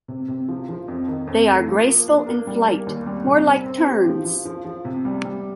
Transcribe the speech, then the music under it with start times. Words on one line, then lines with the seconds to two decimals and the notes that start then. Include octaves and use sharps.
They are graceful in flight, more like terns.
0.08 C3
0.28 C3
0.49 F3
0.69 F3
0.88 F2
1.08 D#3
1.27 F2
1.48 A3
1.68 F3
1.87 A#3
2.08 D4
2.27 A#3
2.47 G3
2.67 A#3
2.87 D#2
3.07 G3
3.27 C3
3.46 C4
3.66 C4
3.86 G4
4.06 F3
4.25 F3
4.45 F3
4.65 F3
4.85 C3
5.05 G3
5.25 G3